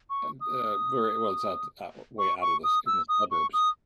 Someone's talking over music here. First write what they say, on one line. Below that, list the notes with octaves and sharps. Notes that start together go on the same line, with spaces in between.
uh, and, uh, very well, it's out it's out o way out of the s in the suburbs.
C#6
D#6
C#6
C#6
D#6
E6
D#6
C#6
D#6